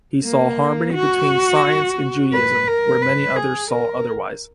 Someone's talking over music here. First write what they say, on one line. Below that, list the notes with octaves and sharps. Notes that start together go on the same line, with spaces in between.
He saw harmony between science and Judaism, where many others saw otherwise.
A#3
F#4
B4
A#4
B4
G#4
A#4